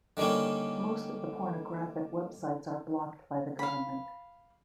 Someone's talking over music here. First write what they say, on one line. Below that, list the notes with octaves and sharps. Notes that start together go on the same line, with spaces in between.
Most of the pornographic websites are blocked by the government.
D3 D#3 G3 A#3 C#4
F5 B5